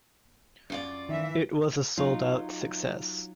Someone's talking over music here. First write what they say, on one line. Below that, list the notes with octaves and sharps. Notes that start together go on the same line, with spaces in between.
It was a sold-out success.
F#2 F4 D5
D#3 E3 E5
F#3 D#4 F4